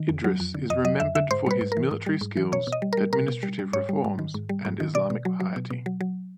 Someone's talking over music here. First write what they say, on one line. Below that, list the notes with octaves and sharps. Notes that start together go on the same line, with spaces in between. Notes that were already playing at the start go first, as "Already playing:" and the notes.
Idris is remembered for his military skills, administrative reforms and Islamic piety.
Already playing: D#3
F2
F#3
F2
D3
F2 D#5
F#3 D#5
F2 E5
D3 E5
G#2 C5
G3 B4
G#2
E3 A#4
G#2
G3
G#2
E3
B2 C#5
B2
D#5
G3
G3 A#4
B2 A#4
B2
G3
G3
G#2 C#5
G3
G#2
D#3
G#2
G3
G#2
D#3
B2 D5
B2
F#3
F#3
B2
B2
F#3
F#3